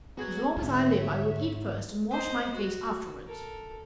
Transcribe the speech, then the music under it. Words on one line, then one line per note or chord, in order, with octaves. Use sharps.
"As long as I live I will eat first and wash my face afterwards."
B3 F#4 G#4 C#5 G#6
G#2 D3 C#5 E5
C5 D#5
F#4
A4 A#4